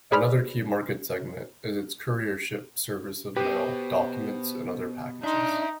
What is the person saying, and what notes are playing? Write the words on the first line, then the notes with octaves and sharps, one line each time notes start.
Another key market segment is its couriership service of mail, documents and other packages.
G#4 B4 C5 D5 B5 F6
B2 G4 B4 C5
D4 D#4 E5 C6